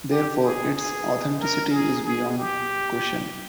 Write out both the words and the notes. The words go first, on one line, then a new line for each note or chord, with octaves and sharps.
Therefore, its authenticity is beyond question.
G4
G#4
G#4
A#4
G#4
G#4
G4